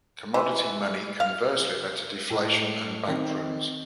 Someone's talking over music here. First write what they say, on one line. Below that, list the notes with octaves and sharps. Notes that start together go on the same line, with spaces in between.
Commodity money conversely led to deflation and bank runs.
E3
F5
A2
D#3 C4